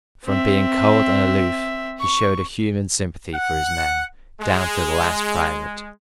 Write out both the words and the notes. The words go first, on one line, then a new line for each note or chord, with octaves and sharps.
From being cold and aloof, he showed a human sympathy for his men, down to the last private.
C4 E5
C#6
F#5
G#3